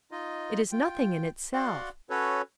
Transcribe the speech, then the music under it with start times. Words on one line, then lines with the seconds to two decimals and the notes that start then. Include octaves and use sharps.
It is nothing in itself.
0.11 D#4 F4 D#5
0.72 F4 G5
1.53 F#4 D5 F5 F#5 C6
2.10 C#4 F#4 A4 B4 C#5